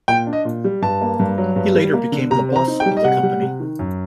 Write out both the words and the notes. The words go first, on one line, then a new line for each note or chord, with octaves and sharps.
He later became the boss of the company.
A#2 G5
D4
D#5
A#2
G3
G2 A5
A#3
G2
F#3
G2
G3
A#3
D3
C3 A#5
C4
A#5
D#4
G5
G3
D#5
C3 F#5
G3
C3
D#3
F#2